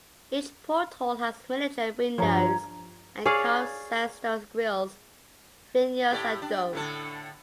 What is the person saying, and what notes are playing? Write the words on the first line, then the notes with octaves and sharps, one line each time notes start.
Each porthole has miniature windows and carved sandstone grills, finials and domes.
G2 F3 C#5 A#5
G#4 C#5 D5 F5
A2 G4 D5
D4
A2 D3 A4